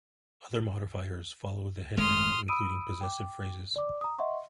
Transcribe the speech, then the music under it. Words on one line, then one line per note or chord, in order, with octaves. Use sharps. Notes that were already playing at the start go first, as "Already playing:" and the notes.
Other modifiers follow the head noun, including possessive phrases.
G#1 G#3 A3 C6 D#6 F6
B5 D#6 E6 D7 D#7
G5 D6
D5 D6
A#5 D#6
D#5 E5 F#5 C6 C#6